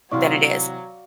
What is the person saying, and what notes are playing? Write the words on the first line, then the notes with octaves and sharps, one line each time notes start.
than it is?"
A2 C3 E3 F#3 D5 F5 C6 C#6